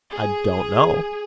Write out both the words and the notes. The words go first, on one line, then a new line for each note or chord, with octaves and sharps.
"I don't know."
G#4